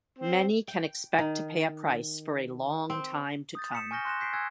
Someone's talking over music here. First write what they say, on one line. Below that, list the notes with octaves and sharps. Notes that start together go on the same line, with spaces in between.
Many can expect to pay a price for a long time to come.
C4
G5
D#3
C4
D#6 G6 A6
B6 C#7 E7
G#5 C#6 F6 G6 A#6 G7
C6 F#6 A#6 E7
G6 B6 C7 D7
G#5 E6 F#6 G#6